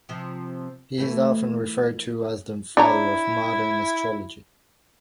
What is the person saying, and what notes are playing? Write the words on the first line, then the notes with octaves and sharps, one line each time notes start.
He is often referred to as "the father of modern astrology".
C3 F3
E3 A3
D4 E4 C#5 A#5